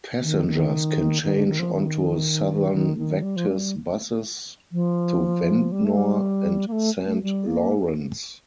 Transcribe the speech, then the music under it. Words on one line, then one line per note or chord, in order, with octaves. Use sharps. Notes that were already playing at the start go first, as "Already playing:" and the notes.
Passengers can change onto Southern Vectis buses to Ventnor and Saint Lawrence.
D#3
D#3
D#3
D3
D#3
F3
D#3
D#3
D#3
G3
F3
G3
F3
G3
A3
G3
A#3
A3
A3
G3
A#3